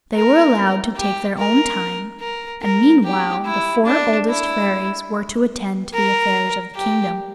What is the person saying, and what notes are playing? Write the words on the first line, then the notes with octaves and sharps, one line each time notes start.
They were allowed to take their own time, and meanwhile the four oldest fairies were to attend to the affairs of the kingdom.
A#4
G4
A#4
A#4
A#4
G4
E4
D4
E4
A#4
G4